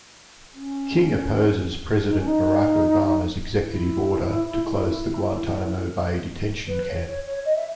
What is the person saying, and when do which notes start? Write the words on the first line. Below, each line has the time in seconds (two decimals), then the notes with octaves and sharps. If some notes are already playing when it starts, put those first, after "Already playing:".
King opposes President Barack Obama's executive order to close the Guantanamo Bay detention camp.
0.54 C#4
2.07 D#4
2.18 C#4
2.27 D#4
3.62 E4
6.68 B4
6.89 C#5
7.07 C#5
7.26 C#5
7.45 D#5
7.56 E5